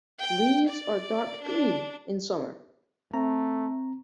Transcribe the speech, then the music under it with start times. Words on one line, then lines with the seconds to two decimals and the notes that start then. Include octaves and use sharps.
Leaves are dark green in summer.
0.18 G5
0.68 D5
1.43 D4
3.14 A3 C4 A#5